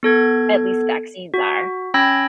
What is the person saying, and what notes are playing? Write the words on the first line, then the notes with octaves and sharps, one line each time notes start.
at least vaccines are.
B3 A4 G#6
F#4
C#4 G5 B5 E6 G#6 A#6